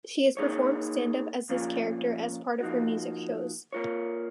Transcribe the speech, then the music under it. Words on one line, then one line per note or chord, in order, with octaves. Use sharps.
She has performed stand-up as this character as part of her music shows.
A#3 D#4 G#4 C#5
A#2 F3 A#3 C#4 F4
F3 A#3 D#4 F#4
A#3 F4 A#4 C#5